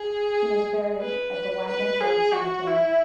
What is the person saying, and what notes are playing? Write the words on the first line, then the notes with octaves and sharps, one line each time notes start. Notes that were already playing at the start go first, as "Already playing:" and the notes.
He is buried at the Waggon Road Cemetery.
Already playing: G#4
B4
B4
G#4
F#4
E4